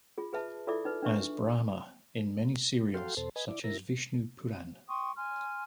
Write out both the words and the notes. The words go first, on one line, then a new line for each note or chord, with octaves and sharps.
As Brahma in many serials, such as Vishnu Puran.
F4 G#4
G#4 B4 E5 A5
E4 F4 A4 D5 E5 D6
D#4 B4
D4 B4 E5 C#6
F#4 A4 F5 G5 C6
E2 B2 A4 C5
B4 D#5 G#5
E4 D5
E4 A#4 A#6
G5 C6 C#6 D#6
G#5 C6 F6